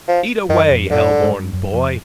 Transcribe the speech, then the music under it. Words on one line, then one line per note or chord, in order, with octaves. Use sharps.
Eat away, hell-born boy!
F3
F#2 D#3
F2
F#2 D3
G2
G#2
G2
F#2
F2